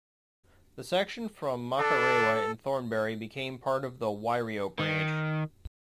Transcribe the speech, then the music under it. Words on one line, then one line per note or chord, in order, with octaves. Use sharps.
The section from Makarewa and Thornbury became part of the Wairio Branch.
D4 A4
D#3